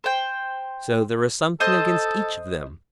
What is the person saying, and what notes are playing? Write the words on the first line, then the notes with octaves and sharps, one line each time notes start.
So there was something against each of them.
C5 G5
A4 C5 D#5